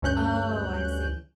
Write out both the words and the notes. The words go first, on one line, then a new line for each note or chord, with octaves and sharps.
Oh, I see.
D2 G2 C#4 F#6 G6